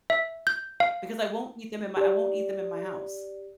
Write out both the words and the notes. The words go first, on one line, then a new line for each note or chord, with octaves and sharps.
Because I won't eat them in my I won't eat them in my house.
E5
G6
F5
G4 D5